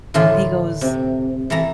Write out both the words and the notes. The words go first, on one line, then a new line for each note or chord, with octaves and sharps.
And he goes
A2 D3 E3 A#3 F4
C3
E3 A4 A#5